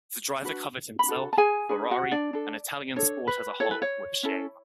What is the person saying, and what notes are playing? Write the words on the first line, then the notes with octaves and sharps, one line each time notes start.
The driver covered himself, Ferrari and Italian sport as a whole with shame.
D4 F#4 B4
B5
D4 F#4 A4
A5
G#4 G#5
D4 G#4 B4
F#4 F#5
D4 D5
D4 A4
D4 A4 C#5
B4
E4 A4 C#5
B4
C#5
C#4 E4 A4